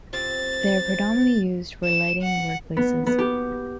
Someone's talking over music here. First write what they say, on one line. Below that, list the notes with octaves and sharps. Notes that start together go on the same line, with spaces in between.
They are predominantly used for lighting workplaces.
C4 F4 G4 A6
E7
F#5
B3
B3
G4